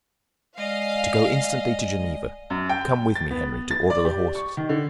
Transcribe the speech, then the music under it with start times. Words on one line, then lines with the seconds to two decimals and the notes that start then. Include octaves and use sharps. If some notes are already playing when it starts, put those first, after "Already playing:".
"To go instantly to Geneva: come with me, Henry, to order the horses."
0.58 G#3 D5 D#5 F5 G#5
2.50 F#2
2.69 G5
3.16 A6
3.31 B3
3.71 A6
3.90 D5
4.05 G4
4.35 C#6
4.57 D#3
4.69 D3